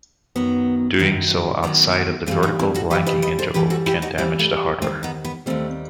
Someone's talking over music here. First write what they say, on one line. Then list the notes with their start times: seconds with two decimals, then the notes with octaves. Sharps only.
Doing so outside of the vertical blanking interval can damage the hardware.
0.36 F#2 D#3 F#3 B3
0.99 F#2 D#3 F#3
1.63 F#2 D#3 F#3 B3
2.26 G2 E3 G3 A3 C4
2.43 B3 D#4
2.59 C4 E4
2.74 F#4 A4
2.90 G2 E3 G3 G4 B4
3.06 B4 D#5
3.22 B4 D#5
3.39 A4 C5
3.54 G2 E3 G3 G4 B4
3.70 F#4 A4
3.86 E4 G4
4.02 D#4 F#4
4.18 G2 E3 G3 C4 E4
4.39 A3
4.82 D#2 A3 C4
4.85 D#3 G3
5.03 B3 D#4
5.25 B3
5.46 D#2 D#3 G3 A3 C4